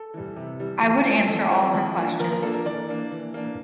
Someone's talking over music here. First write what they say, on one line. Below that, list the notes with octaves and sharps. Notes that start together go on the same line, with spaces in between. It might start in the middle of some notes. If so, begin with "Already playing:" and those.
I would answer all her questions.
Already playing: A4
E3 G3
C3
E3 G3
F3
C4 E4
F3 A4
C4 E4
F3
A#3 D4
F3 A#4
A#4
A#3 D4 A4
A#4
E3 D5
A#3 D4
E3
A#3 D4